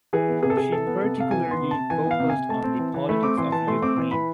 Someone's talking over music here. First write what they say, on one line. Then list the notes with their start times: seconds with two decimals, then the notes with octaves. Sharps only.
She particularly focused on the politics of Ukraine.
0.13 E3 G#4
0.29 B3
0.43 C3 G#4
0.50 A4
0.57 C3 G#4
0.72 E3 A4
0.87 B3
1.02 C3
1.17 C3 F5
1.31 E3 G#5
1.47 B3 C6
1.60 C3
1.71 C3 A5
1.90 E3 G#5
2.06 B3
2.11 F5
2.20 C3
2.30 G#5
2.35 C3
2.49 A3 A5
2.64 C4
2.79 E3
2.94 E3
3.09 A3 B5
3.23 C4 D6
3.37 E3 C6
3.52 E3 A5
3.67 A3 C6
3.82 C4 D6
3.97 E3 C6
4.11 E3 B5